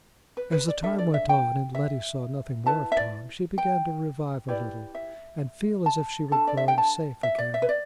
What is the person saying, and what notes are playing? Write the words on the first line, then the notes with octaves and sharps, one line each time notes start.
As the time went on, and Letty saw nothing more of Tom, she began to revive a little, and feel as if she were growing safe again.
B4
B4
D5
D4 A4 E5
D5
E5
G5
E5
E4 B4 A5
E5
D5
G5
E4 G4 B4 D5
E5
A5
D4 A4 A5
D5
E5
G5
A5
E5
D5
E5
B4
D5